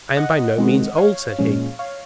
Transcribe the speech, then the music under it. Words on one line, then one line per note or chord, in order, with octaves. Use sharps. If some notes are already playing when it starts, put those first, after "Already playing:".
"I am by no means old," said he.
D#5 F#5
D#3 G#3 C4
C#5 F5
A#2 F3 G#3 C#4
C#5 F5